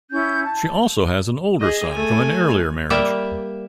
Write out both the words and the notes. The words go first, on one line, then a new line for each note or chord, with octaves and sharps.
She also has an older son from an earlier marriage.
C#4 E4 G6
A5
G#4 D#5
A3 G#5
G3 A#3 D5 E5